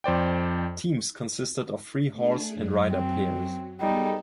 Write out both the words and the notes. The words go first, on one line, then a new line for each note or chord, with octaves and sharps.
Teams consisted of three horse and rider pairs.
F2 C5 D5 G5
A3 D4 G#4
F#2 F#3
C4
G3 B3 D#4 G#4 A4